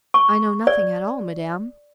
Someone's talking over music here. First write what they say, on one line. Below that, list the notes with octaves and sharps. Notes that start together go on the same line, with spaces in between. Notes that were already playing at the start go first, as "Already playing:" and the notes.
"I know nothing at all, Madame."
C#6
D5